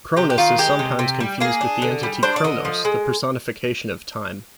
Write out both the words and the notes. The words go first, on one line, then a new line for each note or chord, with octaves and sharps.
Cronus is sometimes confused with the entity Chronos, the personification of Time.
C3 G4
G4
D#3 F4
G#3 G4
C3
C3
G3
A#3 G#4
D4
D3
G3
D4 C5
D5
D3 D#5
F3
G#3